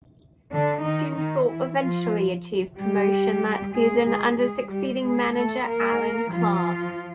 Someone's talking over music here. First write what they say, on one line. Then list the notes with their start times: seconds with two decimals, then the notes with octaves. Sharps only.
Scunthorpe eventually achieved promotion that season under succeeding manager Allan Clarke.
0.52 D3 D4
0.85 D#3 D#4
1.17 D#3 D#4
1.48 E3 E4
1.81 F3 F4
2.77 G3 G4
3.74 G#3 G#4
4.06 G#3 G#4
4.38 G#3 G#4
4.70 G3 G4
5.03 G#3 G#4
5.35 A3 A4
5.67 A#3 A#4
6.31 F3 F4